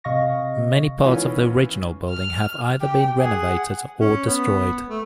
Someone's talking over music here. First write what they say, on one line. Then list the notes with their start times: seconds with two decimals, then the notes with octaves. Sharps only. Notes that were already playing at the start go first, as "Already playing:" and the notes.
Many parts of the original building have either been renovated or destroyed.
0.04 C3 D#5 F5 C#6 A#6
1.04 D#3 E3 B3 C#4 F4
2.09 F6
2.81 G4 G5
3.19 G#4 F#5
4.01 C#4
4.27 B3
4.90 A3